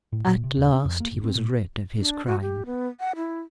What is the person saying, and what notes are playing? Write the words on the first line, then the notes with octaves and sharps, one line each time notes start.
At last he was rid of his crime.
A2
A#2
C3
D#1
C#4
F2
A#3
F#1
C4
A#2
D4
F#4
G4
B3
F#5
E4